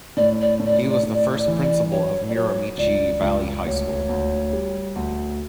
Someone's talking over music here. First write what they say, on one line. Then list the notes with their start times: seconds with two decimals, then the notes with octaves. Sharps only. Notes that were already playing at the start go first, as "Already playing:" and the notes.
He was the first principal of Miramichi Valley High School.
0.17 A2 D5
0.41 D5
0.60 A2
0.65 D5
0.90 D5
1.03 A2
1.13 D5
1.38 D5
1.47 E3
1.62 D5
1.91 F#3 C#5
2.28 D5
2.35 F#3 C#5
2.78 C#2 D5
3.21 C#2
3.65 D2 C#5
4.09 D2
4.53 G3
4.96 D2